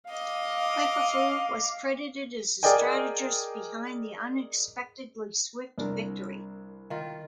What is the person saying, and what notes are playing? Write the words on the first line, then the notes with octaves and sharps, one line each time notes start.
Wu Peifu was credited as the strategist behind the unexpectedly swift victory.
D#5 F5 D6
G#4 A#4 D5 D#5 G5 G#5
C2 D4 A#4
D#3 F4